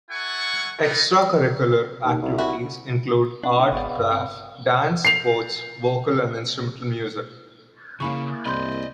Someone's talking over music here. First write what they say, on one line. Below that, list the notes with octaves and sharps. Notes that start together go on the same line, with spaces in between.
Extracurricular activities include art, craft, dance, sports, vocal and instrumental music.
E4 A4 F#5 G#5 C#6
G3 B3 D#4
D#2
C2
E4 F#4
C4 D4
D3 A#3 C4 D4 D#5 E5 G5
G#1 B3 G#4 C#5 D5 F5
G2
C4
C7 F7
C#3 A#3 C#4 E4 G#4 B5 C#6
C2 D5 D#5 B5 C6 G6